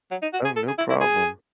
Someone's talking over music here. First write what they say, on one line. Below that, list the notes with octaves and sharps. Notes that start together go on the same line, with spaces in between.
Oh, no problem.
F#3
D#4
F#4
G#4
A4
G#4
E4
E4
G#4